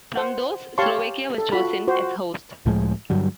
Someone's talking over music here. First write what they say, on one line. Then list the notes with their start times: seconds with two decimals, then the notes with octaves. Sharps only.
From those, Slovakia was chosen as host.
0.15 C5 F#5
0.78 G4 C#5 F5 A5 C6 C#6
1.38 A4
1.52 F4 F#4 B5
1.88 F#4 C5
2.66 C#2 A2 F3 G#3
3.10 G2 D3 F#3 G3